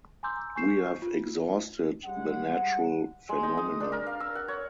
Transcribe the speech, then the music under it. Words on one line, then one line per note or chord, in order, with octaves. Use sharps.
We have exhausted the natural phenomena.
G#5 A#5 C6 D6 E6 G6
G#5 C#6 G6 C7 E7
F4
G3 G#3 C#4 F#5
G#3
D#4
D#6
D4
A#4
F5
E6
F#5
C#5